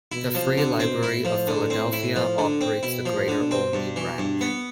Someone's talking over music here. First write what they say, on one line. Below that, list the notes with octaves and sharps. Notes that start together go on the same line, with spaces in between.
The Free Library of Philadelphia operates the Greater Olney Branch.
B2 E4
F3
C3
D3
B2
C4
A2 E4
F3
D3
C4
E4
F3
D3
C4
B2 E4
F3
A2
D3
B2
C4
G2
E3
G2
B3